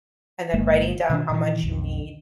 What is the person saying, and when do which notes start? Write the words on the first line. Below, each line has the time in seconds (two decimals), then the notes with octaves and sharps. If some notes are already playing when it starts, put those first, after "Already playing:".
and then writing down how much you need
0.54 G1 G#3 A#3
1.10 B2 D#3 C#4 D4
1.30 A#2 D#3 E3
1.63 B1 F2